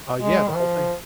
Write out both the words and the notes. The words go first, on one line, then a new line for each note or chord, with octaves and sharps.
Uh, yeah, the whole thing
G#3
D#3
F3